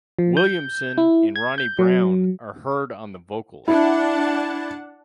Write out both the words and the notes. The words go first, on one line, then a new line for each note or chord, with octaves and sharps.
Williamson and Ronnie Browne are heard on the vocals.
F3
G6
E4
G#6
G6
F#3
D4 E4 F#5 A5